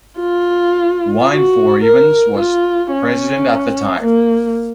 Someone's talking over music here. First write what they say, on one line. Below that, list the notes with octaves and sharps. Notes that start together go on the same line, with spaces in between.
Gwynfor Evans was president at the time.
F4
F#4
A#4
F4
C#4
A#3